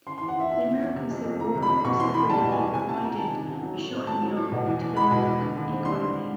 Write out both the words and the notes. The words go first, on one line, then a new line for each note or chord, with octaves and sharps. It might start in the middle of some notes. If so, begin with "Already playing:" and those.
The American Civil War, also, briefly, provided a shot-in-the-arm to the local economy.
C#3 C6
E2 C6
F#5
E2 E5
F3 E5
C#3
E2
C3
F2
F2
F3 A#5
C3
B5
F2
B2 C#6
E2 C6
E2 B5
G3 A5
B2
G#5
E2
C3 G#5
C#2 A5
C#2 A#5
D#3 A5
C3
C#2
F#3
A2
C4
A3 A5
F#3
A2
B2
E2
E2
G#3 B5
B2
E2
D3
D#2
C4
G3 C6
D3